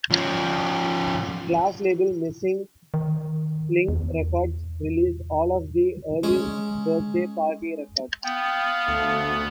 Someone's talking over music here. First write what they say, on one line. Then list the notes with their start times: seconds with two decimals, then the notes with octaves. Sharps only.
Glass' label Missing Link Records released all of the early Birthday Party records.
0.11 F3 C#4
2.94 D#3
3.88 E2
6.23 G#3 C#4
8.24 B3 F5 G5
8.88 D2 A3